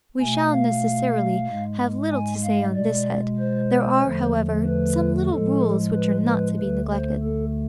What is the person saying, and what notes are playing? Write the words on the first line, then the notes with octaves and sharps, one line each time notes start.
We shall, necessarily, have little to say on this head; there are, however, some little rules which are not to be neglected.
B2 A3 G#5
F5
G#2 G#3
G#5
F5
B2 G#3 D5
C5
E2 D3 F3 A3
B4
A2 F3 G#3 A4
B4
B4
D2 D3 A3 B4
C5
A4